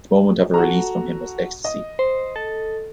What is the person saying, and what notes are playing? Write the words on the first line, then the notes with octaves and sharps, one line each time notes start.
The moment of her release from him was ecstasy.
F#4 A4 A#5
D#5
C5
A4